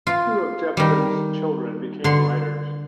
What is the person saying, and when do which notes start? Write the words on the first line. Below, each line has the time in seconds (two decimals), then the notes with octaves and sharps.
Two of Jepson's children became writers.
0.07 F4
0.77 D#3 G3
2.04 D3 C6